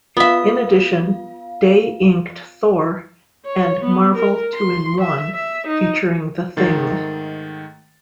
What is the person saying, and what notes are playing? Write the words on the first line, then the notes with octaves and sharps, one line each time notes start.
In addition, Day inked "Thor" and "Marvel Two-in-One" featuring the Thing.
B3 F4 E5 F5
C#5
B3
A#4
C6
E5
E5
D#4
G#2 D#3 A3 A6 C7